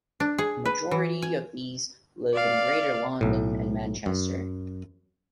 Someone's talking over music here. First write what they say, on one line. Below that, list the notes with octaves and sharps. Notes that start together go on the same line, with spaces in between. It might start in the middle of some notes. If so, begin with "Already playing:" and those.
The majority of these live in Greater London and Manchester.
D4
G#4
B4
E3
G#5
D5 F5
B1 A2
F#2